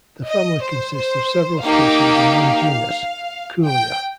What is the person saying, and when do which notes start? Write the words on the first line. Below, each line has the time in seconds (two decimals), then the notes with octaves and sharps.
The family consists of several species in one genus, Kuhlia.
0.28 D#5
0.62 C5
0.96 C5
1.63 A#3 D#4 G4 F5
3.66 G5